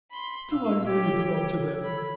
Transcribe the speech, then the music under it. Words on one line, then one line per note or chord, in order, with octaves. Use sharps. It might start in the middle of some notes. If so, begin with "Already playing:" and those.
Do I really belong to them?
B5 C6
A#2 F5 E6
G4 A4 C#5
B5